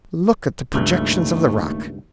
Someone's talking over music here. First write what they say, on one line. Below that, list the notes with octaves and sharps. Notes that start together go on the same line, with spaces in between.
Look at the projections of the rock.
C#2 G2 A3
D#2